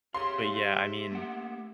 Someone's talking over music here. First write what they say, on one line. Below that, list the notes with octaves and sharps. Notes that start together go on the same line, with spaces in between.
But, yeah, I mean,
G4 G#4 C#5 E5 F5 C6
A3 A#3 F#5